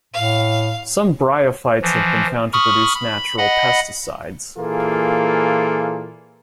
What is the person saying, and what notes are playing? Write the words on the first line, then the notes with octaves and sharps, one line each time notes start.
Some bryophytes have been found to produce natural pesticides.
A2 F5
E3 F3
B5 C#6 D#6 F6
B5
D#5 F#5 B5
A#2 E3 A#3 F4 G#4 A4